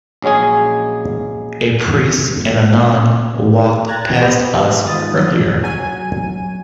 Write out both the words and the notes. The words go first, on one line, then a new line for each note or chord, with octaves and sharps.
A priest and nun walked past us earlier.
A#1 F#3 G#3 C#4 G#4
D2 G2 A#2 A#3
D2 G2 C#3 A#3
F#1 A#2 B3 C#4
A#5 F#6 G#6 A6
B3 G4 B4 C5 D#5 B5
G#2 D#3 F4 D#6 A6
F#3 G#5 D#7